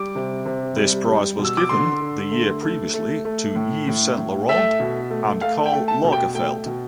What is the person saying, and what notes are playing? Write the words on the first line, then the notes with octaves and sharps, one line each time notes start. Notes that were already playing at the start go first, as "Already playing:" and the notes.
This prize was given the year previously to Yves Saint Laurent and Karl Lagerfeld.
Already playing: G3 D6
C3
C3
G3
G3
B2
E6
D6
D3 C6
D3
A3
A3
A3
A3
A2
A2
A2
A3 E5
B2
A3
A3 F5
G5
A3
A5
B2
G5
A3 G5
B2